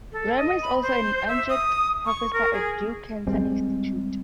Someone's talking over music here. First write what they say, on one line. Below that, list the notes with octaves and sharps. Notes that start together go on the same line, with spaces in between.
Rimer is also an adjunct professor at Duke Cancer Institute.
A4
D#5
B5
C5
E5
D#6
C#6
A#4
G#4
G3 G#3 C4